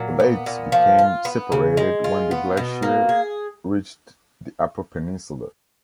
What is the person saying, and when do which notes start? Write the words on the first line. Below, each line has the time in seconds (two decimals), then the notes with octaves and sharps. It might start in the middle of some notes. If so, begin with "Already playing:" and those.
The lakes became separated when the glacier reached the upper peninsula.
Already playing: A#2 F#3
0.20 B3
0.46 A#2
0.72 F3
0.99 F4
1.25 B3
1.52 C#3
1.77 G#3
2.04 F4
2.31 B3
2.57 B2
2.83 A#3
3.09 G#4